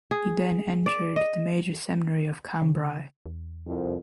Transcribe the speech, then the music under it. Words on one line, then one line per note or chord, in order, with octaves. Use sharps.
He then entered the Major Seminary of Cambrai.
G#4
D5
D#5
C#3
E2
C2 F2